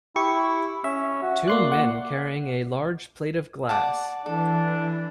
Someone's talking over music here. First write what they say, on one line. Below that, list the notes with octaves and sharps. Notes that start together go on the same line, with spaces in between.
Two men carrying a large plate of glass.
E4 G4 C#6
C#4 E5
F#4
A#3 D5 C6 F#6
F#5
D5 F#5 A5
E3 D4 A4